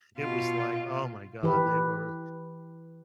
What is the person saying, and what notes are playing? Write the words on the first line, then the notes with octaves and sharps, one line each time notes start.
it was like oh my god, they were
B2 F4
E3 G4 B4